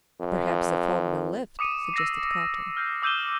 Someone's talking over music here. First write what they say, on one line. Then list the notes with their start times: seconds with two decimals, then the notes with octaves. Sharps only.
"Perhaps the fog will lift?" suggested Carter.
0.21 F2
1.59 D6 D#6 C#7 D#7 E7
1.94 E6 A#6 C7
2.77 F6 G6 C7
3.02 D6 E6 G6 D#7 E7 G7